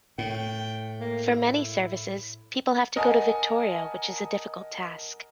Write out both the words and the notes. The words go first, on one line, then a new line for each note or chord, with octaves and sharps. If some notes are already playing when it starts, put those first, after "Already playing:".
For many services, people have to go to Victoria which is a difficult task.
A2 G5
A#3
E4
A#4 D#5 F#5 G#5 A5